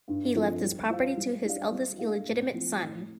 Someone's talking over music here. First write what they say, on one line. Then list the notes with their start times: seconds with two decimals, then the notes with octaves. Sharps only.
He left his property to his eldest illegitimate son.
0.08 G2
0.35 F3 C4 A4
0.63 G3
0.90 F4 C5 F5
1.17 G3
1.45 D4 G4 D5 F5
1.72 G3
1.99 D4 A4 F5
2.26 A2
2.54 F3 C4
2.81 A2